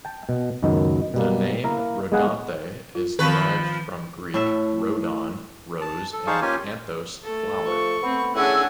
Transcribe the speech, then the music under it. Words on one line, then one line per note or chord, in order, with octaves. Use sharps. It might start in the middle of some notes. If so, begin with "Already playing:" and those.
The name "Rhodanthe" is derived from Greek "rhodon", rose and "anthos", flower.
G5 A5
B2
C#2 F#2 D#3 B3
B2 G3 A#3
A#3 E4 F5 A#5
G#3 B3 G#4 F5 F#5 G#5
F4
D#3 F3 C4 B4 C#6
A2 A4 E5
A5
A4
D#4 G#4 C5 F5 A5 C#6
A#3 C#4 F4 G4 G#5
A3 A4
F3 C#6
A3 B3 C4
A2 C#4 D4 G#4 F#5 G#5 E6